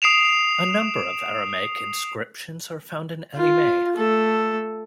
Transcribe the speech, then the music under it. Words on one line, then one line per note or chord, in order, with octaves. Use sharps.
A number of Aramaic inscriptions are found in Elymais.
D#6 C7 D7 E7 F7
F4
A3 A4